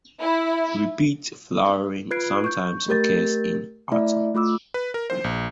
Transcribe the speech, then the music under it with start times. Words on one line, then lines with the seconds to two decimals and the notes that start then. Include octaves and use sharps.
Repeat flowering sometimes occurs in autumn.
0.19 E4
2.11 F4 B4 F#6 G#6 C7 D7
2.44 C#6 G6
2.88 A3 G4 A#4 G6 A6
3.92 A3 E4 D5 E5
4.35 A3 F4 D6 E6
4.74 B4
4.94 A#4
5.10 C5
5.24 A#1